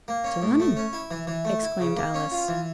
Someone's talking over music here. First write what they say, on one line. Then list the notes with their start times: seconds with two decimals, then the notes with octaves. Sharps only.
'To Lunnon!' exclaimed Alice.
0.08 A#3
0.24 C#4
0.42 A2
0.60 A3
0.77 C#4
0.93 E4
1.11 E3
1.27 E3
1.45 A3
1.63 E4
1.80 C#3
1.97 A#3
2.14 C#4
2.31 F4
2.48 E3